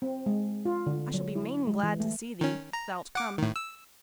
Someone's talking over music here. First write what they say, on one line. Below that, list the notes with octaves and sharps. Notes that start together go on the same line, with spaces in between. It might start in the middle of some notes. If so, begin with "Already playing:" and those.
I shall be main glad to see thee; if thou'lt come.
C4
G#3
F4
D3
F#3
E4
G#3
E3
A3
D#3 C#4
A#5
F#5 D6
A2 D#3
E6